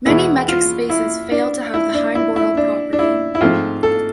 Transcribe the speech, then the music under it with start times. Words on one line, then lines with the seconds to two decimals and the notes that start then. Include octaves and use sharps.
Many metric spaces fail to have the Heine-Borel property.
0.06 E2 B2 G#3 B3 E4
0.48 F4
0.90 E4
1.31 D4
1.74 E4
1.94 D4
2.15 E4
2.36 E4
2.57 D4
2.93 D4
2.99 E4
3.35 E4
3.41 G#2 F3 A3 C4 F4
3.83 A4